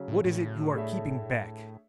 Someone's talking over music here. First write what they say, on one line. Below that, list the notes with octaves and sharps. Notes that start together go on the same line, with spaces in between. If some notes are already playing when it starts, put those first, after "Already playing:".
What is it you are keeping back?
Already playing: C#3 F#3 C#4
A2
A2
A3 D4 G#4 C#5 E5